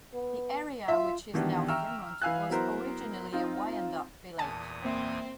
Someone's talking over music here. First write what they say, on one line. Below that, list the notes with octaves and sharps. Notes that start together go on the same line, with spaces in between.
The area which is now Fremont was originally a Wyandot village.
B3
F4 E5
B2 D#3 E3 B3 D4 G4
E5 G5 A#5 C#6 E6 F6
E3 B4 F5 G#5 E6 F#6
F#3 B3 E4 A#4 C5
C4 D#4 F4
E2 A#2 G#5 A5 D#6
A#3 C4 E5